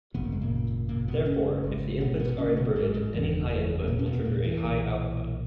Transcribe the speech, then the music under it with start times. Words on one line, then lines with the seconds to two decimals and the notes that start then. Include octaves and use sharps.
Therefore, if the inputs are inverted, any high input will trigger a high output.
0.14 G#1 F#2 C#3 B3
0.23 A#3
0.32 G#3
0.41 A#2 A#3
0.89 A#2 A#3
1.08 B2 B3
1.26 C#3 C#4
1.64 G#1 G#2
2.00 B2 B3
2.19 B2 B3
2.38 C#3 C#4
2.57 B2 B3
2.76 G#2 G#3
2.94 G#2 G#3
3.13 F#1 E2 C#3 E3
3.31 D#3
3.50 E3
3.87 A#2 A#3
3.99 C#4
4.06 B2 B3
4.25 A#2 A#3
4.44 E3
4.62 B1 A#2